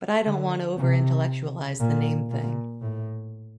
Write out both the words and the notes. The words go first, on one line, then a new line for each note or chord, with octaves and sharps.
But I don't want to over-intellectualize the name thing.
D3
C3
A#2
A#2
A2